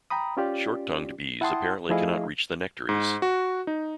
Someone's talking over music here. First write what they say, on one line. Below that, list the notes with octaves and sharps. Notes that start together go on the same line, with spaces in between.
Short-tongued bees apparently cannot reach the nectaries.
G5 A#5 B5 D#6
C#4 F4 G4 D5
E4 F#5 G5 A5 C6 D#6
F3 A3 E4 G#4 D#5 F5
G#2
F#4
D#4